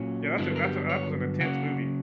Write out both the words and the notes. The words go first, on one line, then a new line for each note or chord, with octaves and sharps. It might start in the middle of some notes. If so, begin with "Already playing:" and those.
Yeah. That's a that's a that was an intense movie.
Already playing: A#2 F#3 C#4
G2 D3 F#3 B3 E4
A#4
G4
C#5
C#3 F#3 A#3 C#4 F#5